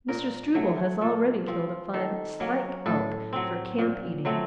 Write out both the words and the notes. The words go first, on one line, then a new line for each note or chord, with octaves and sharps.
Mr. Struble has already killed a fine "spike" elk for camp eating.
A#2 A#4
F#3 A3
A#2 A4
F3 C4
D#3 A4
F#3 A#3 C#4
A2 A4
F#3 C4
A#2
F#3 A3 C4